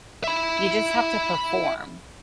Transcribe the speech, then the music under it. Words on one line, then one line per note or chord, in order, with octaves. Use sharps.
you just have to perform.
E5 B5